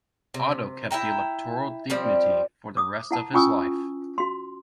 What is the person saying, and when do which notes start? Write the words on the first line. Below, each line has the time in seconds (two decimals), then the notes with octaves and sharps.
Otto kept the electoral dignity for the rest of his life.
0.34 C3
0.91 E4 E5 G5 A#5
1.90 F3 G3 C4 G4
2.77 D6 D#6
3.11 E4 F#5 A5
3.33 C#4 F4 G#5 C#6 D#6 E6
4.18 F#4 C6